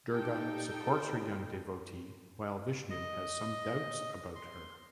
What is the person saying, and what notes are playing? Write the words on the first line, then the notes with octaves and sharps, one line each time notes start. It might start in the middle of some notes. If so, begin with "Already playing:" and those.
Durga supports her young devotee while Vishnu has some doubts about her.
D#4 G4 A4 G5
D#5
C6